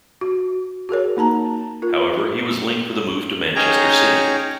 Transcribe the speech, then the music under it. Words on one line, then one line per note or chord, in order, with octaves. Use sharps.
However, he was linked with a move to Manchester City.
F#4
F#4 G#4 A#4 C#5
A#3 D#4 A5 A#5
F4 A#4
C#4 D#4 G#4 C#5 G5 A#5